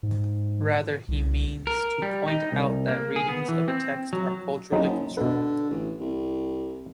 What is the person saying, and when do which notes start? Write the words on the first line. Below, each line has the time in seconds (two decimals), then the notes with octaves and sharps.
Rather, he means to point out that readings of a text are culturally constructed.
0.03 G#2
1.08 C2
1.67 A#4
2.02 G3
2.28 D#4
2.52 C2
2.88 A#3
3.16 G#4
3.28 B3
3.49 E3
3.68 C4
4.13 F#3
4.72 F#1 F#3 C4 D#4
5.17 B2 D3 B4
5.71 A1
6.01 C2